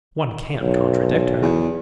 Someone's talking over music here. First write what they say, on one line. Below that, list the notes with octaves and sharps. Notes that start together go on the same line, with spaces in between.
One can't contradict her.
B1
E2